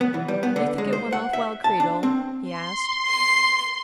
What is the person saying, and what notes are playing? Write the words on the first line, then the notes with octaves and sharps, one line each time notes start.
"Do you think it went off well, Creedle?" he asked.
B3
E3
G3
B3
D3
G#3
C5
F#5
E5
A5
D4
C4
C6
C7